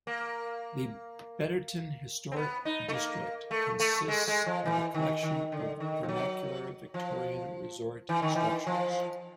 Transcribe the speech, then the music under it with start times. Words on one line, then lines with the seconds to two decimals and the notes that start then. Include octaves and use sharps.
The Betterton Historic District consists of a collection of vernacular Victorian resort structures.
0.07 A#3
2.32 C4
2.36 B3
2.65 D#4
2.88 A3
2.93 A#3
3.51 A3
3.80 A3
4.08 G#3
4.28 G#3
4.46 F3
4.66 E3
4.94 D#3
5.23 D#3
5.52 D3
5.80 D#3
6.03 F3
6.08 F#3
6.94 F3
8.09 E3
8.22 D#3
8.35 E3
8.67 F3